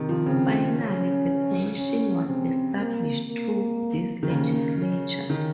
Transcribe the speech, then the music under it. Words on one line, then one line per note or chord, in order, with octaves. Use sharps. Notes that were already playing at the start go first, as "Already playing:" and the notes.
Finally, the Commission was established through this legislature.
Already playing: C3 D#3
F3
C#3 C4
C#4
C#4
C3 C4
A#3
A#3
D#3
C#3 A#3
C#4
D#3